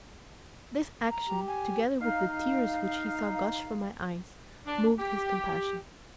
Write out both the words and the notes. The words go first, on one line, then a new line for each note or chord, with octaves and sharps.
This action, together with the tears which he saw gush from my eyes, moved his compassion.
A#5
G4
G#5
D#4 F5
D4
G4